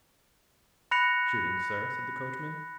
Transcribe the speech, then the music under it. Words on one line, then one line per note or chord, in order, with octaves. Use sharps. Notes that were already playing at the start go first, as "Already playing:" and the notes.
'Shooting, sir?' said the coachman.
B5 F#6 A#6 C#7 F7